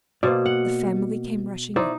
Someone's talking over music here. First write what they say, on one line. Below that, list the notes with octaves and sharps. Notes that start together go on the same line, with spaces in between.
The family came rushing in.
B2 A#3 C5 D5
F#5
D#4 E4 C5 D5